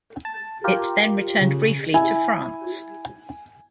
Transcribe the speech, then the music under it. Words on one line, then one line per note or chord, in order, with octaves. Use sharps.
It then returned briefly to France.
A5
F4 G4 A#4
C#3
E4 G#5